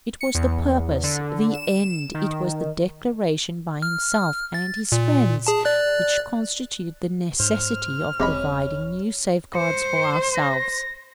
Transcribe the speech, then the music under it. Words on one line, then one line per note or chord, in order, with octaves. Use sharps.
It was the purpose, the end, it was the declaration by himself and his friends, which constitute the necessity of providing new safeguards for ourselves.
C#7
E2
D3
E7
D#3
F6
A6
A#2
G#4 A5
D5 F#6
G#2 C5 F6
E1 C3 G#3 C4 C#4 B5
C5 C#7
A#6